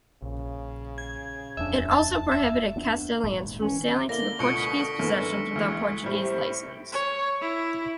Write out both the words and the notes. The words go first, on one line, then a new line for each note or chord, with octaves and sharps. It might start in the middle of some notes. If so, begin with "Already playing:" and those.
It also prohibited Castilians from sailing to the Portuguese possessions without Portuguese licence.
A#1 C#3
G#6
D#1 F2 D4 E5
A5
E5
D2 B3 D4
D#1 G#2
D#3 E3 C#4
D3 A#3 E4 A#6 G7
C#2 B2 C#6 F#6 C#7 D7
C#6 B6 D7
F#2 D#3 B3
D2 E3 G#3
A2 C3 G3
C#5
E4